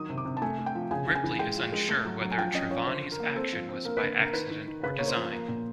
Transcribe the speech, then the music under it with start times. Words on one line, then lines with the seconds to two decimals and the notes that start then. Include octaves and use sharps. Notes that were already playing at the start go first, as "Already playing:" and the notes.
Ripley is unsure whether Trevanny's action was by accident or design.
Already playing: D#3 F#3 D#6
0.10 C3
0.18 D6
0.25 C3
0.37 A5
0.42 A3 G#5
0.59 A3
0.66 G5
0.75 F3
0.91 C#3 G#5
1.07 C#3
1.15 G#5
1.24 E3
1.39 G#3 G5
1.56 F3
1.72 G#3
1.89 A3
2.05 F#3
2.21 F#3
2.32 G#5
2.37 F3 G5
2.54 C#4 D#5
2.70 F3 C#5
2.87 D3 C5
3.03 D3
3.12 A#4
3.20 A#3
3.36 C4 A4
3.53 F3
3.69 C4
3.85 A#3 A#4
3.97 D3 B4
4.18 D3 A#4
4.33 D#3 B4
4.51 D#3
4.67 D#3
4.83 C#3 B4
4.99 A#3 C#5
5.08 C5
5.16 F3
5.32 A#3
5.48 A#2